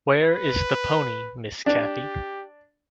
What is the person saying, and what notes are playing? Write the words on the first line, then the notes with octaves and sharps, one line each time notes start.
Where is the pony, Miss Cathy?
B4
D4 G4